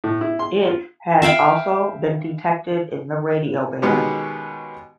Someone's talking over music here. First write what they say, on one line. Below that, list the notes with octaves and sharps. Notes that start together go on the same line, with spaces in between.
It has also been detected in the radio band.
A2
E4
C6
F4
E5 F5 G5 B5
B2 D#3 G#3 B3 C#4 G4